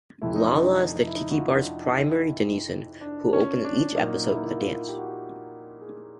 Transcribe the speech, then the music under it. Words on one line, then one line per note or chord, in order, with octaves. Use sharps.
Lala is the Tiki Bar's primary denizen who opens each episode with a dance.
F2 C3 E3 A3 E4
D#4
D4
D#4
E4
D#4
F#4
F4
D4
D#4
E4
D#4
D#4
E4
D4
C#4
D4
A#2 F#3 A#3 D#4
E4
D#4
E4
F4
G4
F#4
G4
G#4